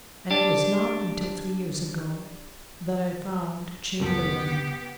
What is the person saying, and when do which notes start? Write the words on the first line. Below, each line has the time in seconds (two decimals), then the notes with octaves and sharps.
And it was not until three years ago that I found Chamberlayne.
0.31 D4 G4
4.00 C#2 F#2 B3 G4 A4